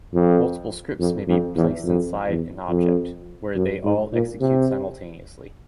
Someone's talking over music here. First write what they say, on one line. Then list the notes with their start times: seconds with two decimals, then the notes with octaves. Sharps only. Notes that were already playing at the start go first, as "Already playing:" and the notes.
Multiple scripts may be placed inside an object, where they all execute simultaneously.
0.14 F2
1.00 F2
1.28 F2
1.57 E2
1.85 F2
2.28 E2
2.70 F2
3.56 F#2
3.84 G#2
4.13 A#2
4.41 C3